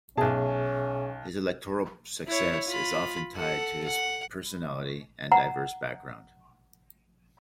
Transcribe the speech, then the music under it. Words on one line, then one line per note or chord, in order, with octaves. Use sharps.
His electoral success is often tied to his personality and diverse background.
B1 B2 C#4 G#4 E5 A5
E4 C#5
F4 B5
A4 F#5
F#5
F#5 A#5